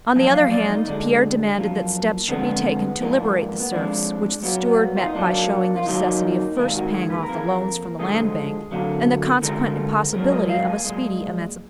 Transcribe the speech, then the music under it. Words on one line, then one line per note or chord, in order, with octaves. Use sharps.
On the other hand, Pierre demanded that steps should be taken to liberate the serfs, which the steward met by showing the necessity of first paying off the loans from the Land Bank, and the consequent impossibility of a speedy emancipation.
F#2 F3 A#3 G#5
F5
D5
D#4
D2 D3 G#3 D4
F#2 F3 A#3
F2 D3 G#3 B3
G#2 F3 A#3
B3
F2 F3 G#3 D4
A#2 F#3 A#3 B3
B3
F4
D#4
A#2 F#3 A#3 D4
F4
D#2 D#3 F#3 A#3 D#4
G#2 D#3 A#3 F4
F#4
G#4
B4
A#4
F2 F3 A#3
G#4
A#4
D2 D3 F3 G#3 G#4
D2 D3 F#3 A#3
D2 D3 G#3 A#4
G#2 F#3 A#3 A#4
D#5
F5
G#5
B1 A#2 G#3